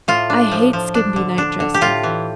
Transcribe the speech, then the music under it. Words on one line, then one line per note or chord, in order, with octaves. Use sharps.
I hate skimpy night-dresses.
A2 F4
D4
F3
F3
D4
D3
D4
D3
G4
A2 F4
E3